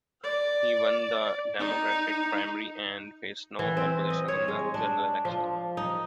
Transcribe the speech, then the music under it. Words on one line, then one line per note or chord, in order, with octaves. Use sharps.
He won the Democratic primary and faced no opposition in the general election.
D5
D#4
E3
C4
D#5
C#5
G#3
D4
F3
D#4